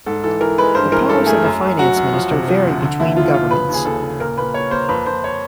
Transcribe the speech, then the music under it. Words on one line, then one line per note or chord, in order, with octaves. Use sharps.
The powers of a finance minister vary between governments.
G#2 A4
E3 A4
E3 A#4
G#3 B4
G2 C5
E3 A#4
G2 A4
A3 G#4
F#2
F#2
F#3 F#4
F#2
F3
C3
F3
D2
D3
D#2 E4
F3 F4
F3 F4
C#3 B4
D#2
G#4
D#2 A4
C#3
A#2 A#4
A#2 B4
A#2 C#5
A#3 C5
F2 B4
F2 C5
C#5